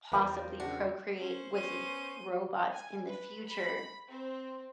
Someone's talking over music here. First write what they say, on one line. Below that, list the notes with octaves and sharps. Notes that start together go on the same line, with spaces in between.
possibly procreate with r robots in the future.
E2 F3 G3 A#3 B4
C#3 D4 F#4
C#4 C5
B3 C#4 C5 G6 D#7
G#5
B4
B5
C4